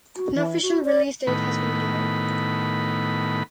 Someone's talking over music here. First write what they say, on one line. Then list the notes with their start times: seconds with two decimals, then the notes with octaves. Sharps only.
No official release date has been given.
0.16 F#4
0.35 E3
0.62 F#4
0.85 D5
1.27 A2 D#3 B3 B5